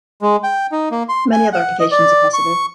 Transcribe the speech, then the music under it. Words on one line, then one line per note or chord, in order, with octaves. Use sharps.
Many other applications are possible.
G#3
G5
D#4
A#3
C6
G#5
F#5
D#5
D5
C#6